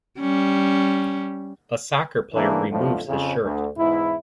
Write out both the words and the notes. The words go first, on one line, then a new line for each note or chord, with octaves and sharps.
A soccer player removes his shirt.
G3 C#4
C#3 E3 A3 A#3 D4
B1 F2 A2 D3 F3
F2 C#3
D2
E2 G#2 E4